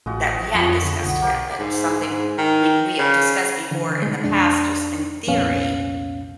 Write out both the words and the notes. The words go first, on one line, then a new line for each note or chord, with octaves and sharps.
that we hadn't discussed yet, but something we we had discussed before in the past just in theory.
A1 G#3 F4 F#4
F2 B3 F4 C#5 C#6
D3
B1 F#5
A#3 G4
G#2
G#2
D#3
C#3
D3 E3
B2 G#3
F2 D4
C2 F2 A#2 B3 C#4 F5